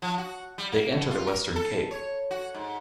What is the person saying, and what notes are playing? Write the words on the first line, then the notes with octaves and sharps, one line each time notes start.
They enter the Western Cape.
F3
F#4
G3
A#3
B2
F4
A#4
A4
C#5
F#4
G#2